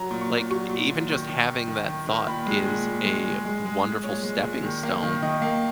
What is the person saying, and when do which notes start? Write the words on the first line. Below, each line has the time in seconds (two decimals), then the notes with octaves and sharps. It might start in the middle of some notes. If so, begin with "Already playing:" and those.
Like, e even just having that thought is a wonderful stepping stone
Already playing: F#3 A#5
0.11 A#2
0.21 C#6
0.31 A#2
0.51 F#3 C#6
0.70 A#2
0.90 A#2
1.09 D#3
1.29 D#3
1.49 D#3
1.68 D#3
1.88 D#3
2.07 D#3
2.27 A#2 B5
2.46 G#3
2.66 A#2
2.87 A#2
3.05 G#3
3.26 G#3
3.45 G#3
3.65 G#3
3.84 G#3
4.04 A#2 C#5
4.23 G#3
4.43 A#2
4.64 D#3
4.83 A#3
5.02 D#3
5.22 D#3 D#5
5.42 A#3